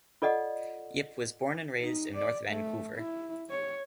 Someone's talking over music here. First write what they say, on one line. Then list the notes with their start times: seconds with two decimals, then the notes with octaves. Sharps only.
Yip was born and raised in North Vancouver.
0.22 F4 A4 D5 D#5 F#5
1.80 D#4
2.16 D5
2.48 A3
2.97 E4
3.50 C#5